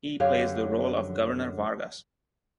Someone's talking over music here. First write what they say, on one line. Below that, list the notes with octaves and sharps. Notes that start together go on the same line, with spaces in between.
He plays the role of Governor Vargas.
F#2 D3 G4 C#5 F5